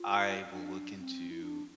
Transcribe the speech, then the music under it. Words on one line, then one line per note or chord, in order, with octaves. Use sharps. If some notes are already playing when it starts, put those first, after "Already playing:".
I will look into
Already playing: F4
D4
C4
E4
D4